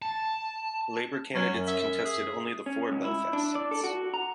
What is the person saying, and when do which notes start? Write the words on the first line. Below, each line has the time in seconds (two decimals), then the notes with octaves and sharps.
Labour candidates contested only the four Belfast seats.
0.02 A5
1.35 F#3 C#4
1.53 F#2
1.68 E5
2.05 G#4
2.66 C#4
2.92 C#2
3.04 E4
3.33 D4
3.55 D5
3.71 A4
3.84 F#4
4.14 A#5